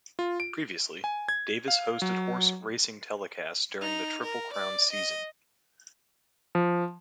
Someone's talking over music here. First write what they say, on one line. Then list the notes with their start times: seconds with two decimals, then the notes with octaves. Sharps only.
Previously, Davis hosted horse racing telecasts during the Triple Crown season.
0.19 F4
0.40 D7
1.04 G#5
1.29 G#6
1.68 F5
2.02 F#3
3.81 D#4 F7
4.22 A#4
4.53 D5
4.91 D#5
6.55 F3